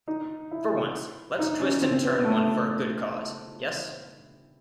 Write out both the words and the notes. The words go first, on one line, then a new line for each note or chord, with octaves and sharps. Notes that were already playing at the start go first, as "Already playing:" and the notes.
For once let's twist and turn one for a good cause, yes?
D#4
E4
D#4
C#4
C4
C4
B3
B3
A3